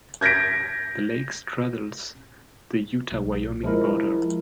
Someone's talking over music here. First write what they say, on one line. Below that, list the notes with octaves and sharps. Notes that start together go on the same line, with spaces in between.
The lake straddles the Utah-Wyoming border.
G6 G#6 A#6 B6 D7
B1
F3 G#3 E4 A#4